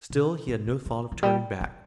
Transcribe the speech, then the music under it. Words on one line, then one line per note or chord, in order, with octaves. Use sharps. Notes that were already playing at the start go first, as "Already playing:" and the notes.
Still he had no thought of turning back.
B2
B2
D3
D3
E3
G3
B3